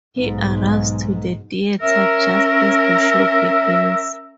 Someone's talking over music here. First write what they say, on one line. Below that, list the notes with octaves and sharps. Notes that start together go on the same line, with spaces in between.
He arrives to the theater just as the show begins.
B1 G#2
C#4 A#4 E5